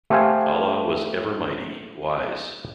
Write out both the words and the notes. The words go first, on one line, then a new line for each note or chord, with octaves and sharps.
Allah was ever Mighty, wise.
A3 G4 A4 C5 F5 G#5